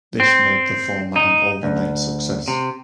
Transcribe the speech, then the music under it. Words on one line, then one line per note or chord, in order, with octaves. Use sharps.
This made the format an overnight success.
C4
D#4
D2
C3